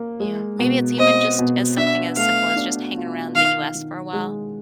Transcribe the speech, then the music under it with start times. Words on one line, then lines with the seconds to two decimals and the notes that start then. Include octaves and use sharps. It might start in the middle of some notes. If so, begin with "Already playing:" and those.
You know, maybe it's even just as something as simple as just hanging around the US for a while.
Already playing: A#3
0.20 G#3
0.59 B2
0.99 C4 D#5
1.39 B2
1.78 D4 E5
2.17 A3 F5
2.56 D4
2.96 F4
3.35 D#3 F5
3.75 D#3
4.13 G#3